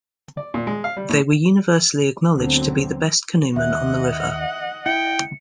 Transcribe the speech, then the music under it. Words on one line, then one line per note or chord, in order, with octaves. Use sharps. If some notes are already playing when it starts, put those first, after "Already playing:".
They were universally acknowledged to be the best canoemen on the river.
D5
A#2
G#3
F5
G3
A2
D2 D3 F#3 B3 C4
D#2 D#5 E5 F#5 F#6
E4 G5 C#7